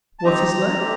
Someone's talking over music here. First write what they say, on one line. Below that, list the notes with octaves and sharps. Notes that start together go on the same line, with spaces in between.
What is left?
A5
C4 D#4 G4 A#5
A3 C4 G4